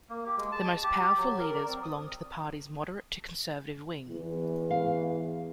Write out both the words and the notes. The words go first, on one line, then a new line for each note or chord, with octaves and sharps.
The most powerful leaders belonged to the party's moderate-to-conservative wing.
A#3
G4
G#3
A5
G4
G4
F#3
A#4
D5
C4
D#6
E2
F5